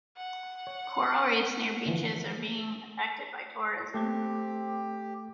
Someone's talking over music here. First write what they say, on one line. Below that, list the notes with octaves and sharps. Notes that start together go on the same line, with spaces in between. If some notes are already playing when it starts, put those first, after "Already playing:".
Coral reefs near beaches are being affected by tourism.
F#5
C#5
D3 E3 F3
A3 C4 G4 A4